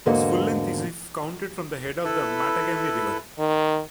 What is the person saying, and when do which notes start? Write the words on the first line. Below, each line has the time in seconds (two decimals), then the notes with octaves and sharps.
Its full length is if counted from the head of the Mattagami River.
0.06 E2 G#2 D3 A#3 F#4 D#5
2.05 E4 A4 B4
3.39 D#3